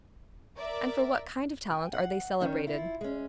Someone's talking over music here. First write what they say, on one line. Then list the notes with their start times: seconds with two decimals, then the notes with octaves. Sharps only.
And for what kind of talent are they celebrated?
0.57 A#4 D5 E5
1.71 G5 G#5
1.93 F5 F#5
2.41 D#3 C#4 D#4
2.67 E4 F4
3.01 G#3 C#4